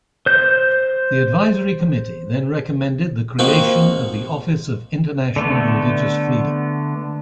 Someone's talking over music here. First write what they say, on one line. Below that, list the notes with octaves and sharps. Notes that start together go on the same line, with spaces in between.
The advisory Committee then recommended the creation of the Office of International Religious Freedom.
C5 G6
F3 A#3 C4 D#4 F#4 F#5
D3 A3 B3